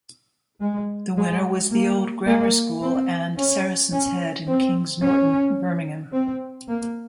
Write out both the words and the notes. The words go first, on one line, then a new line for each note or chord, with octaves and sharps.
The winner was the Old Grammar School and Saracen's Head in Kings Norton, Birmingham.
G#3
G#3
A#3
A#3
C4
C#4
C#4
C4
C#4
C4
A#3